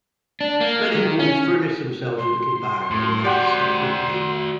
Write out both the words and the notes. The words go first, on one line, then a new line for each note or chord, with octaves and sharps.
Men and boys furnished themselves with little bags or nets stuffed with paper.
D4
A#3
D#3
C#4
C6
A2
F#4 G4 D5 F#5